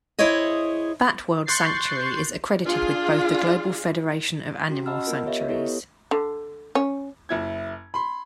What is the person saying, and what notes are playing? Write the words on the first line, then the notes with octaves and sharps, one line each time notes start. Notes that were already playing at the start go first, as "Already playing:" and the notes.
Bat World Sanctuary is accredited with both the Global Federation of Animal Sanctuaries.
E4 G#4 C5 C#5 D#5
C6 C#6 F#6 G6 A6 C7
D4 F4 G#4
C#4 F#4
D#5 F#5 A5 B5 E6 F6
B3 F4 A#4
G4 C#5 D#5 E5
B3 E4 G4 A4 B4 C#5
D3
C#4
F#1 E4 G#6
B5 C6